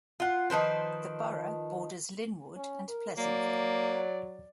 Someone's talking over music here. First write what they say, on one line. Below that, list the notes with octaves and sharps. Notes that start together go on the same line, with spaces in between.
The borough borders Linwood and Pleasantville.
F4 F#5
D#3 F3 B4 C5
C#4
A#4
F#3 A#3 D5